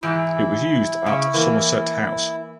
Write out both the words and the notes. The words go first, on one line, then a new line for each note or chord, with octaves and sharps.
It was used at Somerset House.
G#2 E3 E4
C#3
E3 A#3